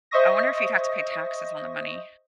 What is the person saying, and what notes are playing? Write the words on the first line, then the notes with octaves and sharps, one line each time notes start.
I wonder if you'd have to pay taxes on the money.
C5 D#5 E5 C#6 D#6 A#6